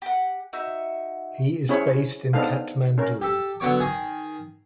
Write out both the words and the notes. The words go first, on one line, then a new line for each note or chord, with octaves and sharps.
He is based in Kathmandu.
G4 F#5
D#4 F#4 E5
C4 C#4 E4 G#4 C#5 B5
B3 C4 D4 D#4 A4 F5
C#4 A#4
G4 A4
D3 F#3 B3 C#5 D6
D#3 G#4